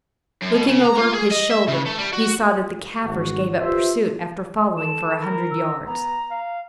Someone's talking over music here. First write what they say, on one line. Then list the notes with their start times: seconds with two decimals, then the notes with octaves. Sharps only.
Looking over his shoulder he saw that the Kaffirs gave up pursuit after following for a hundred yards.
0.42 F#2
0.54 B2
0.68 C#3
0.86 A#5
0.98 F4
1.14 G#4
1.32 D#5
1.51 E5
1.68 C#3
1.86 A3
1.98 G3
2.13 F#4
3.03 G#1 F#4
3.60 F4 G4 B4 C5 E5
4.78 A4 E7
5.21 A#4 B5
5.51 E6
5.86 B3 A#5
6.31 F5